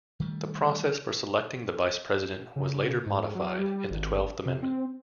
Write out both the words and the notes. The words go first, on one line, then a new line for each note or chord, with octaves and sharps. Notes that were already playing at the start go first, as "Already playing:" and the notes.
The process for selecting the vice president was later modified in the Twelfth Amendment.
D#3 G3 A3
C#3
G#2
F#3
G3
G#1
C3
C4